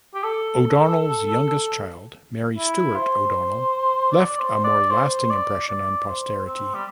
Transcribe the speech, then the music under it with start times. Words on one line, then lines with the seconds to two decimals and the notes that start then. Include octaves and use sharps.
O'Donnell's youngest child, Mary Stuart O'Donnell, left a more lasting impression on posterity.
0.15 G4
0.24 A4
2.57 E4
2.96 C5
4.12 D5
4.29 D5
4.39 C5
4.64 D5
4.90 C5
5.30 D5
5.68 D5
6.07 C5
6.46 C4
6.74 G3